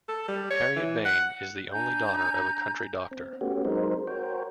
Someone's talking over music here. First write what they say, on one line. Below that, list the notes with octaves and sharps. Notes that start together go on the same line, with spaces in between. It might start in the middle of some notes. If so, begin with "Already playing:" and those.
Harriet Vane is the only daughter of a country doctor.
A4
G3
C#5
E3
F#5
D4 G#5 A#5 G6
C4
A3 B3 C#4 F#4 G4
F#3 G#3 C4 D#4 A#4 C5
F#4 A#4 C5 C#5 G5